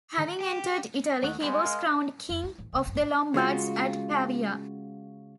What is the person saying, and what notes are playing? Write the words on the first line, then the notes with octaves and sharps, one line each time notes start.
Having entered Italy, he was crowned King of the Lombards at Pavia.
A2 D3 D#3
G4
D#2 A3 F#5
G3 G#3 B3
A#4 D#5 F5
F2
E4
A1 F3
C#2 C#3
G#1 F#2
A2
C#3 G#3 F4 F#4